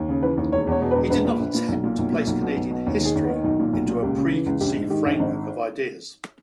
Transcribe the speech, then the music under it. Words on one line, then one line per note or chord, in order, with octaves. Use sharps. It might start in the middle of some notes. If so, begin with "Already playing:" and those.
He did not attempt to place Canadian history into a preconceived framework of ideas.
Already playing: D#2
C#3
E3 B4
D#2
E1 C#5
E2 C#5
B2
B4
E1
A#1 B4
A#2
A#1
A#2
B1
A#2
B1
A#2
B1
B2
B1
B2
D#2
D#3
G#4
D#2
B3
D#3
B1 D#4
A#2
B1
A#2
C#2 G4
C#3
E3
C#2
A#1 G4
G#2
D#3 G4
A#1
G#1 D#4